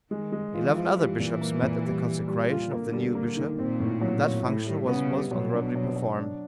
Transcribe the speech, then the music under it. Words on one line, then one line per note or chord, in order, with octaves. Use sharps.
Eleven other bishops met at the consecration of the new bishop, and that function was most honourably performed.
D#3 G#3
G#3
E3 F4
F4
E3 G3
A#2
A#3
A#2
G3
G3
G3
F4
D3 A#3
G3
A#3
D#3
A#2 C4
A2
F#3
F#3
A2 E4
G3
C#3 B3
G3
B2 F#3
D4
F#3
F#3
D4